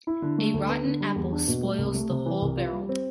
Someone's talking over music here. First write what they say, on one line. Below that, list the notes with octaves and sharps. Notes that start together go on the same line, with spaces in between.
A rotten apple spoils the whole barrel.
E4
D3
A3
D2
B3
D3
G3
E2
D4
B2
A3
C2
A3
C3
E3
C2
F4
G3
C4